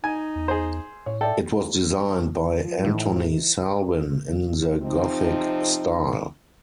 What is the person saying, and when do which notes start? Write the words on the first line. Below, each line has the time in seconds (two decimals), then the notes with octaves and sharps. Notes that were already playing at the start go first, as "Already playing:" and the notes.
It was designed by Anthony Salvin in the Gothic style.
0.04 D#4 G#5
0.36 E2
0.48 G#4 C5
1.06 A2 C#5
1.21 A4 D5 E5 G5
2.64 F3
2.84 A2 E3 D#4
4.82 C3 F3 C4 D#4